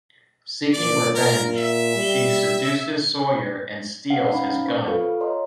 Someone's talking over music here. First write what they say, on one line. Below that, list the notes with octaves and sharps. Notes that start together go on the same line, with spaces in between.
Seeking revenge, she seduces Sawyer and steals his gun.
A#2 D5
A#4
E5
G3
F5 F#5 C7
C#4 D#4 F5 A#5 B5
C5 C#6
F4 A4 B4 F5
C#5 D#5 A#5 C6